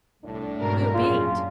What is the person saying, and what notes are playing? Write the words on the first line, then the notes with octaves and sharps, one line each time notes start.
"Who beat?"
C2 A2 D4
G#2 B2 A#4
F#2 A#2 D4 F4 G#4